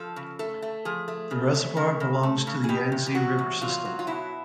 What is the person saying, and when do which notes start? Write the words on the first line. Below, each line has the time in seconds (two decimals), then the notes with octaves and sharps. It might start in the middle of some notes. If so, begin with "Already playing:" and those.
The Reservoir belongs to the Yangtze River system.
Already playing: F3 A4
0.16 C#3
0.39 A3 A4
0.62 A3
0.85 F3 G#4
1.08 A3
1.31 C#3
1.54 A3
1.77 C#3
2.00 C#3
2.23 A3
2.47 C#3
2.64 G#4
2.69 B2 G4
2.92 E2
3.06 G4
3.15 F#3 F#4
3.39 E2
3.61 F#3 F4
3.85 F#3
3.99 F4
4.07 B2 E4